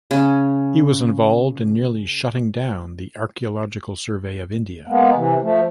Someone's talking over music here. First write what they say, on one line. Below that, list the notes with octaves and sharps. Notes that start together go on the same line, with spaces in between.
He was involved in nearly shutting down the Archaeological Survey of India.
C#3 C#4
G#3 A#3 B3
C3 E3
F3 A3